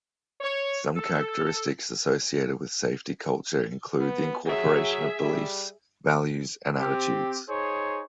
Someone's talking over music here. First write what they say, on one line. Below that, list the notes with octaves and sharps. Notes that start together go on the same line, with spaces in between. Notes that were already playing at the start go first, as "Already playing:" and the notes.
Some characteristics associated with safety culture include the incorporation of beliefs, values and attitudes.
C#5
A4
B3
F#3 G#4 E5
G3
C4 G4
D#4 G#4 C5 C#5